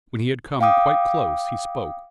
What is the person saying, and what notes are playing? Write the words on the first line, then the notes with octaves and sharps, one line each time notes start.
When he had come quite close he spoke.
F5 G5 D6 D#6